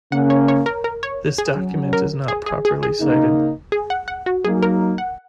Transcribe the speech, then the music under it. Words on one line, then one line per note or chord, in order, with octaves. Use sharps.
This document is not properly cited.
C#3 A#3 C#4 F#5
C#5
C#5
A#4
A#4
C#5
G#4
F#3 C#4
A#4
G#4
G#4
G#4
G#4
C#3 A#3 D#4
G#4
F#5
F#5
F#4
F#3 A#3 D#4 G#4
A#4
F#5